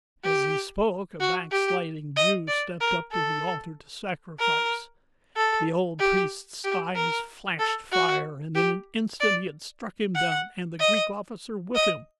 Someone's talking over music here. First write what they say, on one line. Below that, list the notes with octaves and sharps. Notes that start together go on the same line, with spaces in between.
As he spoke a backsliding Jew stepped up to the altar to sacrifice. The old priest's eyes flashed fire, and in an instant he had struck him down, and the Greek officer with him.
G4
F#4
G4
D#5
D5
A#4
A4
A#4
A4
G4
G4
A#4
A4
F#4
G4
D5
F#5
D#5
D#5